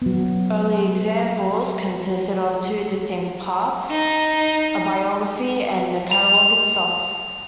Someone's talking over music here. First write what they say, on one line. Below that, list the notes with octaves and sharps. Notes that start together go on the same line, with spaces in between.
Early examples consisted of two distinct parts, a biography and the catalogue itself.
F#3 B3
D#4
F7